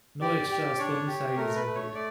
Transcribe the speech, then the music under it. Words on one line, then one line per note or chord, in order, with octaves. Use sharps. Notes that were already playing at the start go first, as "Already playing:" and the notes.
No extra spermicide is needed.
G4 D5
G4
D4 C#5
G4
A3 A#4
B4
A3
C#5
A3 D5